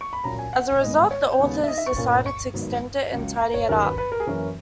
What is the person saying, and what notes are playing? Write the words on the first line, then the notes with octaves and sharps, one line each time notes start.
As a result, the authors decided to extend it and tidy it up.
C#6
B5
A#2 F#3 C#4 A#5
G#5
F#5
G#2 D#3 G#3 B3 D#5
C#5
D#2 C#3 G#3 B3
E5
D#5
E5
C#6
A#2 A#3 C#4
C#6
G#2 D#3 F#3 B3
C#2 C#3 F#3
A#5
C#5
D#2 D#3 F#3 A#3 C#4 A#4
B4
B4
A#4
G#4
F#2 E3 A#3 C#4 A#4